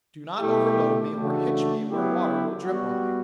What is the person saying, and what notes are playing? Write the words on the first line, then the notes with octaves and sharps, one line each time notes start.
Do not overload me or hitch me where water will drip on me.
B2 A3 E4 G4
C#3 E3 A3 D4 F#4
F#3 B3 E4 G4
G3 B3 F#4